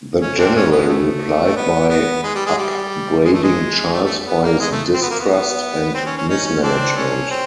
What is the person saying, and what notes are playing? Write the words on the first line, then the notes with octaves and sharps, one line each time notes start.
The general replied by upbraiding Charles for his distrust and mismanagement.
C#4
C4 D4
C#4
B3
G#3
A3
B3
B3
G#3
G3
G#3
G3
G#3
A3
G#3
A3
A3
B3
A#3
G#3
A3
C4
B3
A#3
B3
C4
C#4
C#4
C#4 D#4
C#4
C4 D4
C#4
C4